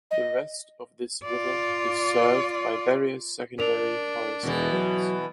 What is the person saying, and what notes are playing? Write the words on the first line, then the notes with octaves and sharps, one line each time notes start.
The rest of this river is served by various secondary forest roads.
D#5
F4 D5
D4 A#4 F7
E1 B2 E3
F#3